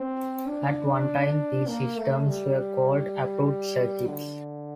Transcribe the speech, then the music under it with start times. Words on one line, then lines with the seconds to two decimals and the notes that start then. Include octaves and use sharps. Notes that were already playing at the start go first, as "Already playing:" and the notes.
At one time these systems were called "approved circuits".
Already playing: C4
0.46 D4
1.67 A#3
1.96 A3
2.27 G3
4.07 D3